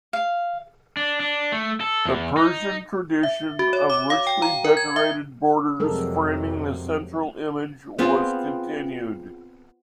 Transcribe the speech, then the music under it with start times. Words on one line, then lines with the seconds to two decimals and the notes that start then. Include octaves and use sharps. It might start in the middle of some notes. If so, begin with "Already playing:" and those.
The Persian tradition of richly decorated borders framing the central image was continued.
0.13 F5
0.97 D4
1.20 D4
1.52 A3
1.81 A4
2.05 E2
2.37 D#4
3.23 E5
3.59 F#4
3.73 C#5
3.90 D6
4.10 F5
4.27 G5
4.42 A#5
4.64 A#4
4.77 G#6
4.96 E5
5.80 F2 C3 F#3 G#3 A4 A#4
7.99 B3 C4 F4 G#4